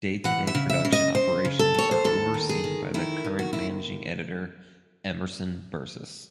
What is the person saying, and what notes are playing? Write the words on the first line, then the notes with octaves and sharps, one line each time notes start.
Day-to-day production operations are overseen by the current managing editor, Emerson Bursis.
E3 F#5
E5
C#3
E5
C#3
D#5
C#3 C5
C#3
A4
D#2 C#5
C5
D#2 A4
D#3
G#4
D#3
D#3 E4
D#3
F#4
D#2 E4